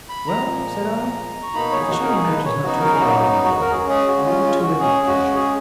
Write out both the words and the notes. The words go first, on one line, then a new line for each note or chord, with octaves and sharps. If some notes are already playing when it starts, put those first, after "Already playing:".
"Well," said I, "if the shooting-match is not too far out of my way, I'll go to it with pleasure."
B5
A#5
A#2 F3 G#3
C#6
B2 A#3 D#4 B5
C#5
G#4
F#4
A#4
G#4
B4
C#5
C#3 F#3 B3 D#4 F#4
A#4
G#4
F#4
F#4
A#4
C#3 G#3 C#4 G#4
G#4
F#4
F4
F4
F#4
C#3 G#3 C#4 G#4
F#4
G#4